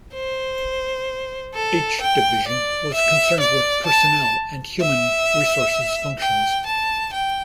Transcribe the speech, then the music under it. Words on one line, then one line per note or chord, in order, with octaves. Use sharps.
H Division was concerned with Personnel and Human Resources functions.
C5
A4
G5
D5
E5
D5
A5
E5
G5
A5
G5